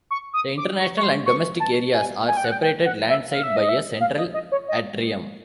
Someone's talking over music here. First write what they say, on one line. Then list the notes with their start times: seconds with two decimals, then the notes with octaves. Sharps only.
The international and domestic areas are separated landside by a central atrium.
0.11 C#6
0.33 D#6
0.57 D6
0.80 C#6
0.97 C#6
1.03 C6
1.26 C#6
1.60 A5
1.94 G#5
2.28 G#5
2.37 G5
2.45 F#5
2.52 G5
2.62 G5
2.85 F#5
3.09 E5
3.31 F5
3.43 E5
3.56 D#5
3.69 E5
4.01 F5
4.18 D#5
4.34 D#5
4.52 C#5
4.68 D#5